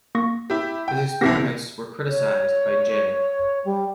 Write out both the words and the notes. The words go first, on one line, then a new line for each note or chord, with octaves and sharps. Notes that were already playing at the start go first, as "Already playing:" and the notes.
His experiments were criticised by J.
A#3 C#6 A#6
E4 G4
G5
C2 B3 C4 E4 G4 A#6
C#5
G3